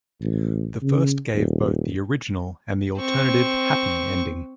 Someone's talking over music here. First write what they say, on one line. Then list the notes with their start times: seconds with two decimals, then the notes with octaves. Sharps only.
The first gave both the original and the alternative "happy" ending.
0.21 A1
0.82 C#3
1.34 D#1
2.99 C4 C#6